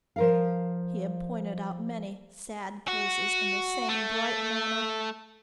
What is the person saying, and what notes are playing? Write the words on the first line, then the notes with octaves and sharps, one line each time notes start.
He had pointed out many "sad cases" in the same bright manner.
F3 A#4 F5
F#4
A3